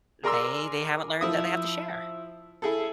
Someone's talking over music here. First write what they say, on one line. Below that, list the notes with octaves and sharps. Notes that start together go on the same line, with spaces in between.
they they haven't learned that they have to share!
G#4 A#4 D5 A#5 C6 E6
F3 E4 D#6
E4 G#4 A4